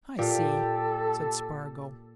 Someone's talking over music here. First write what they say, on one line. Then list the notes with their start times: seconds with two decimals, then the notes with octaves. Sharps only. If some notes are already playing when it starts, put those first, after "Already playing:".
"I see," said Spargo.
0.19 A#2 G4 A4